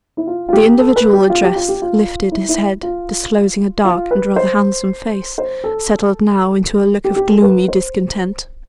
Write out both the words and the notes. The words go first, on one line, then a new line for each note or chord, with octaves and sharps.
The individual addressed lifted his head, disclosing a dark and rather handsome face, settled now into a look of gloomy discontent.
E4
F4
F4
G4
A4
B4
G4
F4
G4
F4
G4
F4
E4
E4
F4
F4
B4
C5
C5
A4
G4
G4
A4
B4
C5